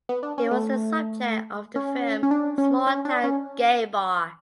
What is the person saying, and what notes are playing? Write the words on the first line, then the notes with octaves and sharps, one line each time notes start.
It was the subject of the film "Small Town Gay Bar".
B3
D4
C#4
A3
C#4
C#4
D4
C#4
C#4
D4
C#4